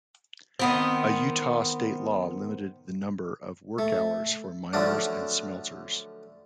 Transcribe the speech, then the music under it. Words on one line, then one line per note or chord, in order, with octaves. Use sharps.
A Utah state law limited the number of work hours for miners and smelters.
D#3 B3 C4
A3
D3 F3 F#3 A3 C#4 D4